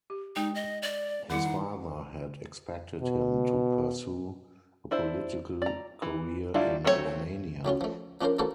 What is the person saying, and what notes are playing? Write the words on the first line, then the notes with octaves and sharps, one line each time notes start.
His father had expected him to pursue a political career in Romania.
G4
G#3 D#4 G5
D#5
D5
D#3 G3 E4 F#5
D#4
B2
D4 E4 C5
D5 A#5
E3
F#3 G3 D4 E4 F4
F#3 A3 C4 E4 C#5
A2 F#3 C#4 F4
F3 A3
F3 C#4 D4 F4 A#4 C5
E3 A3 A#3 F#4 A4 C5